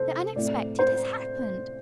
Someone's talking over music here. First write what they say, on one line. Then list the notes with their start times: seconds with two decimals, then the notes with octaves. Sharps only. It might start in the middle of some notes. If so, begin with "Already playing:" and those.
"The unexpected has happened!"
Already playing: C3 A4 C5
0.36 A2 A3 C4 D5
0.79 C5